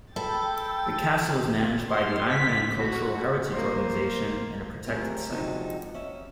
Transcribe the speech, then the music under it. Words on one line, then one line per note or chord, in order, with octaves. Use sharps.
The castle is managed by the Iran Cultural Heritage Organisation and a protected site.
A4 G5 B5 E6 A6
C6
B6
F#4
A#3 C5
A3 C4 F4 G4 G#4 A#4
G2 C3 F3 G#3 D#4 F#4
C#4 E5